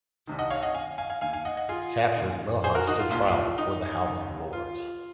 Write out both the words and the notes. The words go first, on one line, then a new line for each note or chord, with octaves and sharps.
Captured, Mohun stood trial before the House of Lords.
C2 C3 D#3
D#5 F#5
C#5 F5
D#5 F#5
F5 G#5
F5 G#5
F5 G#5
D#2 D#3 F5 G#5
F5 G#5
D#5 F#5
D#5 F#5
F4 G#4
D#2 D#3
G#4 C5
F#4 A#4
D#4 F#4
F4
C2 A#2 F4
D#4
F#2 C#3
F4